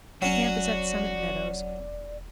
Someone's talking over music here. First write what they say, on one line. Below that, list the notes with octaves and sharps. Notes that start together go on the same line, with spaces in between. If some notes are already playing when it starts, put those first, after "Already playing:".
Camp is at Summit Meadows.
E1 F#3 C#4 F#4 D5